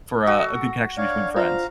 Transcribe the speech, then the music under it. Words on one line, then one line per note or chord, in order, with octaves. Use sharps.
for a a good connection between friends.
F#4 A4
D4 C#5 F5
F4 C5 F5 A#5